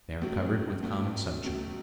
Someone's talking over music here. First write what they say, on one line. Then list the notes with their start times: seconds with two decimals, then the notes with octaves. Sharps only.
They are covered with common sunshine.
0.22 C#2 B2 F#3 A3
0.83 C#2 B2 F#3 A3
1.44 C#2 B2 F#3 A3